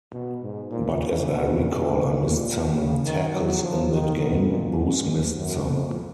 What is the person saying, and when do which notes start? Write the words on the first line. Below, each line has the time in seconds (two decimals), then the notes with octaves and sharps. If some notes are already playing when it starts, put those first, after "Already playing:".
But as I recall, I missed some tackles in that game, Bruce missed some.
0.13 B2
0.43 G#2
0.71 A#2
1.00 C#3
1.29 B2
1.58 A#2
1.88 G#2
2.17 A#2
2.75 C#3
3.04 D#3
3.33 F#3
3.62 F3
3.92 D#3
4.21 B2
4.49 A#2
4.79 G#2
5.36 F#2
5.65 F2